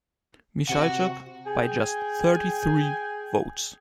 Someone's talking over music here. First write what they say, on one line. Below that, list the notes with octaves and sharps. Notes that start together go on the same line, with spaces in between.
Michalchuk by just thirty-three votes.
C3 F#4 F#5
G#4 G5 G#5